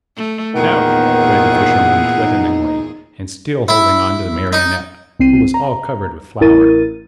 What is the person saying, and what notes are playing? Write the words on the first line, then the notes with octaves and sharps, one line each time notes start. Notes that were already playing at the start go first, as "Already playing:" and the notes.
"Get out!" cried the Fisherman threateningly and still holding onto the Marionette, who was all covered with flour.
A3
E2 A#2 D#3 G#4 F#5
D#2 B3
D#4
E4
D#4
C2 C4 C7 D#7
A#5
A1 E4 A#4 A6 D#7